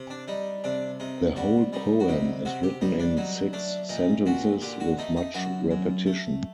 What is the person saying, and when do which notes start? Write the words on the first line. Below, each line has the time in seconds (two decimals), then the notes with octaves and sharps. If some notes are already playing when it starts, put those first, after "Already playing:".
The whole poem is written in six sentences with much repetition.
Already playing: C3
0.10 D4
0.28 G3 D#4
0.64 C3 D4
1.00 C3 D#4
1.36 G3 F#4
1.73 G3 D#4
2.00 F#4
2.08 C3 D#4
2.45 C3 F#4
2.63 G4
2.81 G3 D#4
2.99 D4
3.17 F#3 D#4
3.53 A3 D4
3.89 A#2 D#4
4.26 A#2 F#4
4.62 D3 G4
4.80 F#4
4.98 A3 D#4
5.17 D#4
5.34 F#2 F#4
5.71 F#2
6.06 A3